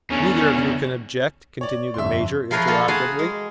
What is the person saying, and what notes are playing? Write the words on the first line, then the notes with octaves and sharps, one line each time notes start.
"Neither of you can object?" continued the major, interrogatively.
E2 D3 C#4
C#5 D5
G1 F2 E5 C6
F3 E4 G#4 A#4 B4 C#5
A#3 F4 F#4 A4 B4
G#4 A#4 F#5 G#5 A5 B5
G#3